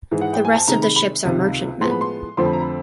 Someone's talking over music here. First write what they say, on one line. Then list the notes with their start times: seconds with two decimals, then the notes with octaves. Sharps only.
The rest of the ships are merchantmen.
0.11 G#2 E3 G#3
0.21 F#5
0.33 G5
0.45 G#5
0.56 A5
0.68 C3 D#3 G#3 A#5
0.82 B5
0.96 B5
1.25 C#2 C3 D#3
1.81 A2 F3 G#3 B3 C6
1.91 B5
2.01 C6
2.37 F2 D3 F3 A3 C4 C6
2.45 B5
2.53 A#5
2.61 B5